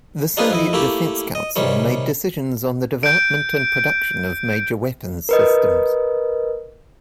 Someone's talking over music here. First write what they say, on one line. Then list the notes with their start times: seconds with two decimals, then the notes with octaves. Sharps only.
The Soviet Defense Council made decisions on the development and production of major weapons-systems.
0.37 D4 D#4 F4 G#4 B4 C5
0.51 F2 E4 D#5
0.73 A3 A#3 E4 G4
1.35 D#5
1.56 C3 D#3 G3 C#4
3.03 G6 D7
5.29 A#4 B4 D#5